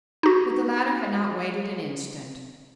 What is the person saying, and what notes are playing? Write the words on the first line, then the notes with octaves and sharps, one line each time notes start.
But the latter had not waited an instant.
D#4 F#4